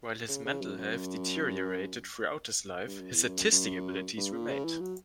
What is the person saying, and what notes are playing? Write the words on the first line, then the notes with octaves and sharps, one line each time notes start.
While his mental health deteriorated throughout his life, his artistic abilities remained.
C#3
C#3
F#2
F#2
G2
F#2
E2
F#2
F#2
G2
A#2
C#3
E3
F#3